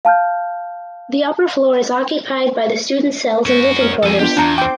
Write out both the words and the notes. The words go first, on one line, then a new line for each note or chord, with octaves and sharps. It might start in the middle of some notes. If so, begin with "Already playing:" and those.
The upper floor is occupied by the student cells and living quarters.
F5 A5 F6 G6
C#4 F#4
A#4 F6
F2 A4 G#5
B3 D4 F4 G4
E2 D4 A5 A#5 G6
C5 G5 D6 G6 D7